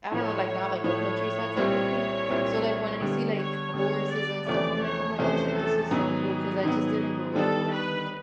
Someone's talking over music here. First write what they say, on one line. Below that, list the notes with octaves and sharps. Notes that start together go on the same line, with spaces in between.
I don't know, like not like a countryside type of thing. So, like when I see like horses and stuff, I'm like, "Oh my gosh, like this is so cool," 'cause I just didn't grow up around it.
A2 F3 A3 C#5
A2 F3 A3 C#5
C2 A#2 G3 C4
C2 A#2 G3 C4
D3 G3 B3
C#5
D3 G3 B3 C#5
D5
E2 C3 F3 A3 C#4 D5
C#5
E2 C3 F3 A3 C#4 C5
A4
G#2 D#3 F#3 B3 G#4
G#2 D#3 F#3 B3
D#3 G3 B3 D4 A4
B4